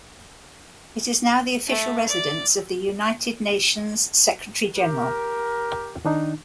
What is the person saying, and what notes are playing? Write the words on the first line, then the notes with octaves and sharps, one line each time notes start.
It is now the official residence of the United Nations Secretary-General.
A3
D5
G4 A#4
D#3 D4 D#4